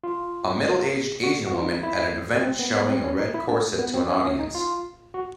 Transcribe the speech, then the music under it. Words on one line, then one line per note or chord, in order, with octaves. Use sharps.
A middleaged asian woman at an event showing a red corset to an audience.
F4
F#4
F#4
F4
D#4
E4
E4
C4
B3
B3
C4
C#4
D#4
E4
D4
B3
C4
C#4
C#4
D#4
F4
F#4